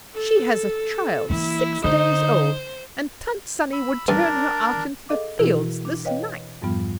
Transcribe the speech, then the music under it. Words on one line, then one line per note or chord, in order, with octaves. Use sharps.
She has a child six days old, and Tant Sannie would turn her out into the fields this night.
A4
E3 A#3 E4
D3 D#4 C5
B5 E6
G2 D4 A#4 D5
G#4 A4 D#5 F5 D6
B2 E3 E4 F#4 G#4 A#4
D4
B4 C#5 D#5 F5 G5
F2 G#2 F3 G3 B3 F4